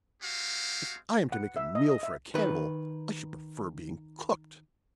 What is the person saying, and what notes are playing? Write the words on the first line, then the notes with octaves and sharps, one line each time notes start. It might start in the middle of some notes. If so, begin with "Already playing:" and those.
"If I am to make a meal for a cannibal, I should prefer being cooked."
G#3 C4 F#4 G4 F5
F#5
E5
D#5
D#5
E5
D#3 B4